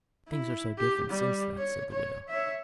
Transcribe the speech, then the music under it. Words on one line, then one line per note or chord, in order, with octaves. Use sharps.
"But things are so different since that," said the widow.
E4
G4
G3
C#5
C#5
C#5 E5